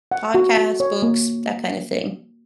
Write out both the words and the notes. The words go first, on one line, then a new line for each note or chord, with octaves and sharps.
podcast, books, that kinda thing.
F#5
F#4
F#4
C#5
A#3